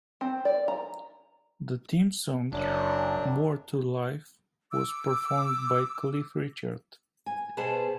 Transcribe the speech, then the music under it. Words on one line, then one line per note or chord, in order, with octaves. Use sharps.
The theme song, "More to Life", was performed by Cliff Richard.
C4
D5
A#5
F#1 F#2 F#3 D4
D6 E6
G#5
B2 B3 G#4 C5 A5